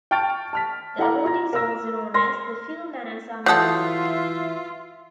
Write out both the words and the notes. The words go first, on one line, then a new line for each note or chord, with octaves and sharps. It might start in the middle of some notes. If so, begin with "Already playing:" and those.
The award is also known as the Phil Manassa Medal.
G5 A5 C#6 F6 A6 D7
A5 F6 B6
E4 A4 F5 F#5 A#5 D6
F4 A#5 A#6
A#4 F5 A#5 E6 A#6
A#4 C6 F6 A#6
E3 F#3 F4 A4 E5 F#5 D#6 G6